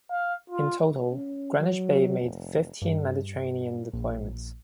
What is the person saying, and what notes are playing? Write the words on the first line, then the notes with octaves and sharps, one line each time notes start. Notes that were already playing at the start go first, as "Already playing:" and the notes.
In total "Greenwich Bay" made fifteen Mediterranean deployments.
F5
F4
C#4
F#3
F1
G2
A#1